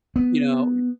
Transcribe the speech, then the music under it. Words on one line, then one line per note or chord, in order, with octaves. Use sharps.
you know?
B3